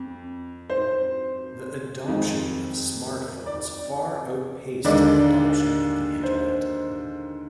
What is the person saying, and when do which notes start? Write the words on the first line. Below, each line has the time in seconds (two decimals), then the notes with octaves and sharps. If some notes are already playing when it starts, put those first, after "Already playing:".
The adoption of Smartphones far outpaced the adoption of the internet.
Already playing: F2
0.70 C5
2.08 F2 D#3 G#3
3.46 D5
4.85 D#2 D3 G#3 D5
6.23 C5